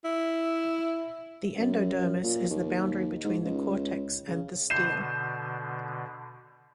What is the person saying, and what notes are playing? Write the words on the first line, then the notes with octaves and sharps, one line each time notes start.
The endodermis is the boundary between the cortex and the stele.
E4
F#2
A#2
D#2
G#2
C#2
C#3
B2 D3 G6 C7 E7